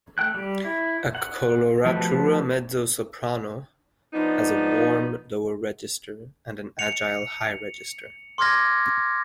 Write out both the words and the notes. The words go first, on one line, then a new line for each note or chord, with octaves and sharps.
A coloratura mezzo-soprano has a warm lower register and an agile high register.
A3 G5 F#6
G3 G4
E4
F#5
F3 A3 B3 F#4 G4
F3 B3 D4 D#4
C#7 F7
C6 D6 F6 G#6 A#6